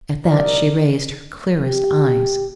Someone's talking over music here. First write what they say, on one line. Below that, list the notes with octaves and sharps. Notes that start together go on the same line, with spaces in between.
At that she raised her clearest eyes.
C2 D#4 A#4 D5
G4